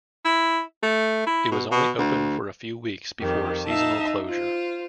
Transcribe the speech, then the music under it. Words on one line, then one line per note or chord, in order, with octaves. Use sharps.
It was only open for a few weeks before seasonal closure.
E4
A3
E4
B2
B2
D2
F2 D#3 G4
D#4 E5 F5 A5
F4 C5